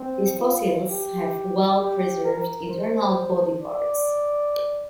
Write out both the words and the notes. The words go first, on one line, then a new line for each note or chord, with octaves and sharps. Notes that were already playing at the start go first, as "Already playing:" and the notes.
These fossils have well preserved internal body parts.
Already playing: C4
F4
G4
G4
A#4
C5
D5